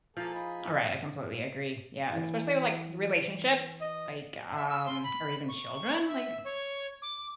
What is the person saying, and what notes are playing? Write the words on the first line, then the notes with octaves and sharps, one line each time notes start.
Alright, I completely agree, yeah, especially with, like, relationships, like, um, or even children, like,
F3 A#3 G#4 A4
D#4 G#4 B5
E3
D#5
E5
E6
C6
B5
C#6
E5
C#5
D6